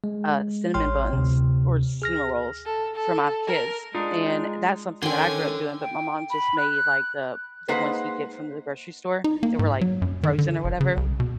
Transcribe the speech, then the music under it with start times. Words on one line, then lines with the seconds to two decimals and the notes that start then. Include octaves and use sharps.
uh, cinnamon buns or cinnamon rolls for my kids, and that's something that I grew up doing, but my mom just made, like, the the ones you get from the grocery store, they were, like, frozen or whatever.
0.04 G#3
0.74 A1 C#5 G5 C6 F6
1.13 D2 C3
2.02 G#4 F6 A#6
2.66 A4
2.96 A4
3.47 A#4
3.95 G#3 D4 D#4 F4
5.02 D3 D#3 C#4 G5 G#5 C6
5.82 G5
6.30 B5
6.57 F#6
7.68 G#3 A#3 D#4 B4 C5 F#5
9.24 D#4
9.43 A#3
9.59 G#2
9.81 F#3
10.02 F#2
10.23 D#3
10.38 D3
10.64 F#1
10.81 C#3
10.97 C2
11.20 B2